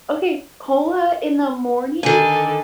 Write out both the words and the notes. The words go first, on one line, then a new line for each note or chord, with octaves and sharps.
Okay, cola in the morning?
D3 D#3 A4 G#5